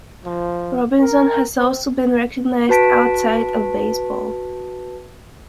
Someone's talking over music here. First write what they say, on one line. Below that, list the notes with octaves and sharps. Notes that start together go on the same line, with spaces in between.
Robinson has also been recognized outside of baseball.
F3
A#4
C4
F#4 B4 A5 B6 D7